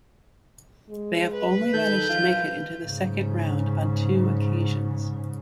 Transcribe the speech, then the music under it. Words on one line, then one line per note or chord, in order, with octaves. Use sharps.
They have only managed to make it into the second round on two occasions.
G#3
B4
D#3 A4 G6
F3 F4
G#2 C#3